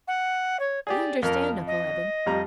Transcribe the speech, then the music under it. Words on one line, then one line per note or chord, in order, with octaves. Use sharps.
"I understand, Uncle Eben."
F#5
C#5
G4 G#4 D5
F2 A#4
D#5
F2 G3 A#5